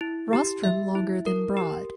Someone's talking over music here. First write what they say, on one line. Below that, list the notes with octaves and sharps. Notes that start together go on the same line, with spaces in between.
Rostrum longer than broad.
E4
G4
E5
E4
A#4
G4